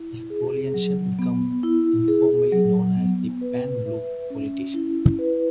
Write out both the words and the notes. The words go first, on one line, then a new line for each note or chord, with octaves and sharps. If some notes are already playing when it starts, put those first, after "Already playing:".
This coalition became informally known as the Pan-Blue Coalition.
Already playing: E4
G#4
F#3
B3
E4
G#4
F#3
B3
B4
E5
C#4
E4
B4